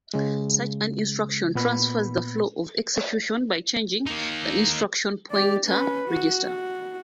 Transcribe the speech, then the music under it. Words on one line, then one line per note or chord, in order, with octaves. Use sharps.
Such an instruction transfers the flow of execution by changing the instruction pointer register.
C#3 G#3
A#2 B3 B5
A#3 D#4
G4 D5
C#4 B4
F#4
F#4